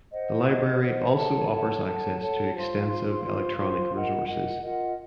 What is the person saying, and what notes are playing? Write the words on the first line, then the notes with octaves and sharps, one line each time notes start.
The library also offers access to extensive electronic resources.
C5 D#5 F#5
C5 D#5 F#5
C5 D#5 F#5
A4 C#5 F#5 A5
A4 C#5 F#5 A5
A4 C#5 F#5 A5
A4 C#5 F#5 A5
F4 C5 F5 C6
F4 C5 F5 C6
F4 C5 F5 C6
F4 C5 F5 C6
F4 A#4 D#5 F#5
F4 A#4 D#5 F#5
F4 A#4 D#5 F#5